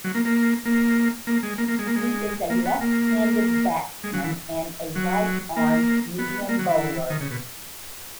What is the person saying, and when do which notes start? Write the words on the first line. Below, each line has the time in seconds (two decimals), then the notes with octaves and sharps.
He is a left-handed batsman and a right-arm medium bowler.
0.04 F#3
0.15 A#3
0.25 A#3
0.65 A#3
1.27 A#3
1.43 G#3
1.58 A#3
1.68 A#3
1.79 G#3
1.87 A#3
1.96 G#3
2.50 A#3
2.65 B3
2.81 A#3
4.04 G#3
4.14 F#3
4.24 E3
4.96 F#3
5.57 A#3
6.19 B3
6.49 A#3
6.59 F#3
6.69 E3
7.10 D#3
7.21 C#3
7.31 B2